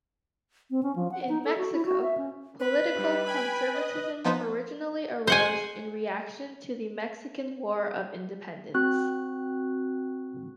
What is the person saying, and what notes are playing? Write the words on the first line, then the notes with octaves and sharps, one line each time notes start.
In Mexico, political conservatism originally arose in reaction to the Mexican War of Independence.
C4
C#4
F3
F#5
D#4
A4
F#4
E4
F#4
E5
C#4
B4
G2 G3
G5 G#5 B5
D#5
F3 B3 D#4 F4 B4 C5
C5 F#5 G#5
C4 F#4 F#6